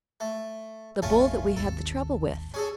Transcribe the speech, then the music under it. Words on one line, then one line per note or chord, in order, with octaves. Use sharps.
The bull that we had the trouble with.
A3
F1 A#1 A#2 A3 C#4 F4
G#1 D#2 A4
C#4 G#4 A4